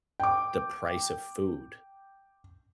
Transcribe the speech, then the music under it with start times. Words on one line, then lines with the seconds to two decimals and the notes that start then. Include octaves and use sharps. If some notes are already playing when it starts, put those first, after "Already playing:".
the price of food.
0.20 G5 D6